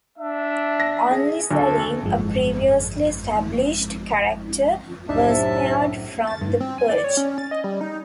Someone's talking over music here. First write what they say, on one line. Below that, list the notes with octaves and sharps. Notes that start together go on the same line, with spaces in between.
Only Selene, a previously established character, was spared from the purge.
D4 E5
A#6
G#4
D2 A4
G#1 F#2 F3 G#3
C2 F#2 A2 C3 D4 D#4 E5 A5
A6
G2
C4
G#5
D5
C#5
C#4
A6
D#5
G3
D#4